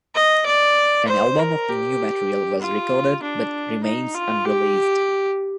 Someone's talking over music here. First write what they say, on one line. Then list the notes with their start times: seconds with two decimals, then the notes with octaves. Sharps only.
An album of new material was recorded, but remains unreleased.
0.15 D#5
0.46 D5
1.08 C5
1.39 A#4
1.69 G4
2.61 F4
3.22 D4
3.83 D#4
4.14 F4
4.45 G4